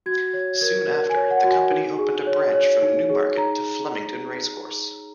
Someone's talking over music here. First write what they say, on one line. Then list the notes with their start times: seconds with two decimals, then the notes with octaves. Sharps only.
Soon after, the company opened a branch from Newmarket to Flemington Racecourse.
0.06 F#4 G#6
0.33 C#5 G#6
0.61 A#4 G#6
0.89 A#4
1.10 G#5
1.16 C#5
1.31 F#5
1.44 F#4
1.51 G#5
1.71 D#4
1.99 G#4
2.27 C#5
2.55 C#5
2.82 D#4
3.10 G#4
3.37 D#4 A#5